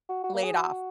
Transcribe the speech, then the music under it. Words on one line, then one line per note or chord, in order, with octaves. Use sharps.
laid off.
F#4
F#4
A#3
G#4
F#4